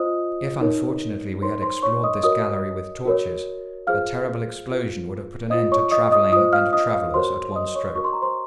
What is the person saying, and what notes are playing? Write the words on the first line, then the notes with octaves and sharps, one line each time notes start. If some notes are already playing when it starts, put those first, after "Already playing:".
If unfortunately we had explored this gallery with torches, a terrible explosion would have put an end to travelling and travellers at one stroke.
Already playing: F4 C5 D#5 D#6
D#4 A#4 C#5
D#4 A#4 C5 C#5 C6
C5 C6
C#5 C#6
D#5 D#6
F#4 A#4 C#5 D#5 D#6
F#4 A#4 C#5
F4 G#4 C5 F5 F6
F4 G#4 C5
F4 C5 D#5 D#6
C#5 C#6
D#5 D#6
D#5 D#6
F4 C5 D#5 D#6
F5 F6
D#5 D#6
F5
F#4 A#4 C5 C#5 C6
D#5 D#6
C#5 C#6
F#4 A#4 C#5 C#6
C6
A#5
C5 C6